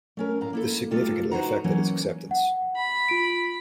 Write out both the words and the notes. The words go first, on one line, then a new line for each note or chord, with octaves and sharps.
This significantly affected its acceptance.
A3 C#4 A#4
A2 F5 A#5
A#3 E4 A4
C3 G3 A3 F4 A4
D#4 F#4 B4 C5 F#5 A#5
E3 F#3 A#3 C#4
F#5
B5
F4 D7